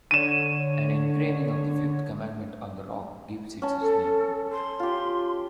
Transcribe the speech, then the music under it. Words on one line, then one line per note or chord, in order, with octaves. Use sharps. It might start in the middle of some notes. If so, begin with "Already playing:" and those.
An engraving of the Fifth Commandment on the rock gives it its name.
D3 C#5 D#7 E7
C#4 A5
A4
C6
F4 G4